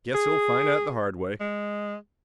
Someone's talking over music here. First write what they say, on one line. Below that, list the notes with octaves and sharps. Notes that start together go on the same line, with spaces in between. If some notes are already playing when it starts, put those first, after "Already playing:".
"Guess he'll find out the hard way."
G#4
G#3